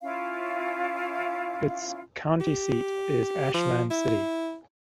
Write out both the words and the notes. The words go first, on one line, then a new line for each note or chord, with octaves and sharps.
Its county seat is Ashland City.
C#4 E4 F4 F5
G4
F3
E4